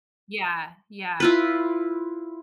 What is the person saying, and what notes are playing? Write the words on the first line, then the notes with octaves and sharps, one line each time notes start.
Yeah, yeah.
E4 F4 B4